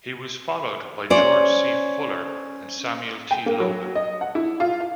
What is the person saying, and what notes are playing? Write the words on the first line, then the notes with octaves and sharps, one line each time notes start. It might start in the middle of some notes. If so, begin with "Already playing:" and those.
He was followed by George C. Fuller and Samuel T. Logan.
C#4 C5 D5
G5
A#3
F#3
D#5
F#5
E4
F4
F5